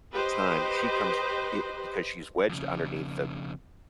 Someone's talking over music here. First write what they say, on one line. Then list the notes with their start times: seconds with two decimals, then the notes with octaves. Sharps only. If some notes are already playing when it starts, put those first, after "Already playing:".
time she comes, eh, because she's wedged underneath the
0.13 G4 B4 C5 D#5
2.49 F2 C#3